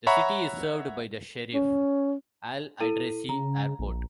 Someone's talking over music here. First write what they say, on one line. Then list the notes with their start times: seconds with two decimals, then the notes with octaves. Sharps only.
The city is served by the Cherif Al Idrissi Airport.
0.07 C#5 E5 F#5 A#5 B5 C#6
1.54 C#4
2.80 E4 A4 D#7
3.29 C#3 A#5
3.79 A#1